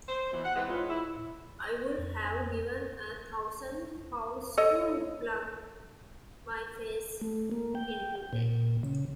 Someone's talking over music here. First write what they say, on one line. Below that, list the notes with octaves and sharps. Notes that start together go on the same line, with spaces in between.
I would have given a thousand pounds to plunge my face into that.
C5
B2 E3
F#5
E3 G#3 C4 B4
G#2 G#3 E4 F4 C#5
E4
F2
A4 C#5 D#5
A3
A#3
G5
A#2
C#3